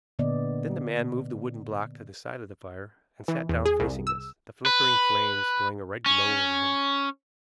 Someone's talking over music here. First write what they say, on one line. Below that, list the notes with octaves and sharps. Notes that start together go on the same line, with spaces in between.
Then the man moved the wooden block to the side of the fire and sat down facing us, the flickering flames throwing a red glow over him.
A#2 D3 A#3 B3 D5 D#5
E3
E2
G#4
C2
E6
B4
C#4